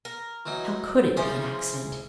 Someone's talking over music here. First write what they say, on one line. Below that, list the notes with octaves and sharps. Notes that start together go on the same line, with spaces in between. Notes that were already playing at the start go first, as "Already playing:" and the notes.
How could it be an accident?
A#4
E3 F#3 D#4
C#3 E3 F3 C#4 C5